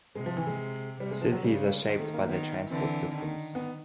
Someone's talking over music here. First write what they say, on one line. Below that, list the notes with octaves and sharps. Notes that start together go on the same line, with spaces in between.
Cities are shaped by their transport systems.
C3 G#3
F3
E3
G#3
C3 G3
G#3
F3
F#3
C#3 G3
G#3
G3
G#3
D#3 G#3
A3
A#3
D#3 B3
D3 E3 C4
D#3
B3